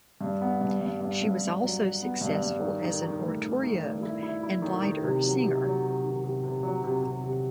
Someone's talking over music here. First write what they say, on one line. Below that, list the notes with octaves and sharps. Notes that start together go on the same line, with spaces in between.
She was also successful as an oratorio and lieder singer.
G2
B3
G2
G2
G2
G2
G2
F#3
F#3
B3
G2
G2
D#3
D#3
D#3
A3
D#3
D#3
A3
E4
E4
E4
D#3
D#3
C3
F#3
C3
F#3
C3
D#3
C3
C3
F#3
C3
C3
C3